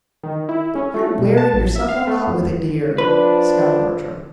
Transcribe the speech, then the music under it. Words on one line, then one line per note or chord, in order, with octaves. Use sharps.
"But you're wearing yourself all out with it, dear," scowled Bertram.
D#3
E4
C#4
A3
B2
A5
A1
E5
F5
A3
F2
F3 D4 B4